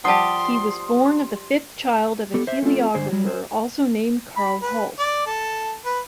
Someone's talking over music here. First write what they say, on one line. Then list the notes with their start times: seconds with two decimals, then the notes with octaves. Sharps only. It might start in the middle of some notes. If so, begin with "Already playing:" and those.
He was born the fifth child of a heliographer also named Karl Holz.
0.05 F3 G3 G4 F#5 A5 C6 D#6
2.34 B3 G4 A4
2.47 C5 E5
2.62 A3 C4 F4 A4
2.94 G2 D3 C5 G#5
3.11 F#3 G3
3.28 C5
4.37 B5
4.62 B4
4.99 D5
5.27 A4
5.85 B4